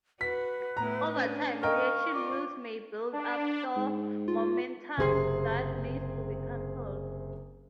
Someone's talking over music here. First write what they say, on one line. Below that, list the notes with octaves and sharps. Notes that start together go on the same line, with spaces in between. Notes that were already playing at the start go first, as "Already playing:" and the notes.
Over time, reaction wheels may build up stored momentum that needs to be cancelled.
F#4 B4 B6
A2 B3 E4 A#5
C#4 D4
A#4 D#5 F5 G5 C#6
F4 D5
D4
G#2
F4
F#1 C3 C4 G#4 C6 C7